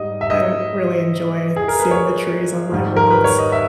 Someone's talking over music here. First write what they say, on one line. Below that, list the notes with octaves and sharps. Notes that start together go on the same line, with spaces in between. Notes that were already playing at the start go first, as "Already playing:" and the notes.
I really enjoy seeing the trees on my walks,
Already playing: G#2 G3 D#5
E5
D#5
G#4
A#4
B4
C#5
G#2 D#3 G3
A#4
B4
C#5
D#5
E5